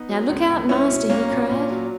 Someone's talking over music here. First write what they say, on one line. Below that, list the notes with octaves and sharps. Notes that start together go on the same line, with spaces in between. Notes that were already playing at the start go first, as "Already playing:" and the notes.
"Now, look out, master!" he cried.
Already playing: B3 D#4
F#3
C#2
C#2
C#2 C#4 E4
B2
B1 A#3 C#4
A#2
A#2
F#3